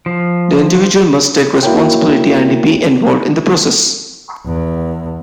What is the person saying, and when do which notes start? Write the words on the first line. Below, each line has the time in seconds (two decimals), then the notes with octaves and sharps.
The individual must take responsibility and be involved in the process.
0.06 F3
1.63 A#3 E4 F#4 A#4 C#5 G5
4.46 E2